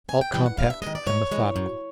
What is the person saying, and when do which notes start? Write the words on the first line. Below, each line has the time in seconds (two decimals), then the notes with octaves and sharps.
All compact and methodical.
0.09 C#3 G#5
0.21 G5
0.34 E3 G3 G5
0.46 F#5
0.57 G2 F5
0.70 E5
0.82 D#3 G#3 D#5
0.95 D5
1.07 G#2 C#5
1.31 E3 G#3
1.56 F#2